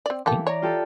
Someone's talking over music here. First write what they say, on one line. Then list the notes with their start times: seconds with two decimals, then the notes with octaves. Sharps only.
You think.
0.06 C4 D5
0.26 E3 A#3 G4 A4
0.47 C#5 D5 A#5
0.62 F4 G4 A4